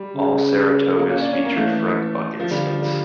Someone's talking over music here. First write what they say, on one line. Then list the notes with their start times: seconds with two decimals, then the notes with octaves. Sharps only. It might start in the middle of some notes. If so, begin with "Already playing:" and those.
All Saratogas featured front bucket seats.
Already playing: G3
0.15 C#3
0.99 A#3
1.09 C#4
1.21 D4
1.33 C#4
1.45 A#3
1.56 E3 A3
2.40 F3
2.51 D3 G3
2.67 F3
2.82 G3